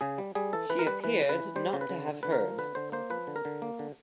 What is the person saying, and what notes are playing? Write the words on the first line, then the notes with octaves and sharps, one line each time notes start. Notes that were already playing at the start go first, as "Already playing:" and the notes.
She appeared not to have heard.
C#3 G#4
G3
G3 G#4
E3 A4
E3 B4
A#4
G3 B4
E3 B4
C#3
B4
E3
G3 C5
C#3
B4
C#3
D3
D3 B4
A#4
F3
D3 B4
D3 C5
A#3 C5
F3 B4
D3
A#4
D3
A#3
D3